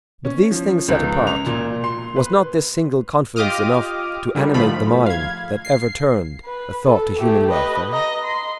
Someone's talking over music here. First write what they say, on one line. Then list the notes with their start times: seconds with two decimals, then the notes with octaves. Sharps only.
But, these things set apart, Was not this single confidence enough To animate the mind that ever turned A thought to human welfare?
0.25 C#4
0.51 F3
0.88 C#2
1.27 F7
1.46 A#2
1.84 C6
2.16 B4
3.36 F4 G4 D#5 D6 D#6 F6
4.35 D3 D#3 G3
4.54 G#2 F3 A3 F4 B5
5.06 F5 G#6
5.65 C7
6.45 B4
6.85 A4
7.19 A3 G4
7.50 B4 D#5
7.93 D#5 A#5
8.23 C6